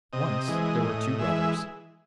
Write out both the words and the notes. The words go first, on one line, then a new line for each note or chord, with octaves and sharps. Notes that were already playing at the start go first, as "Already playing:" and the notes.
Once there were two brothers.
C3 D#5
E3 G#3
A2 D#5
E3 G#3 E5